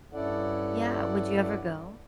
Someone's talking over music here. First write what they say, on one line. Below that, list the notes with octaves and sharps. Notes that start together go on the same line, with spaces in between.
Yeah, would you ever go?
G2 C#4 E4 A4 D5 F#5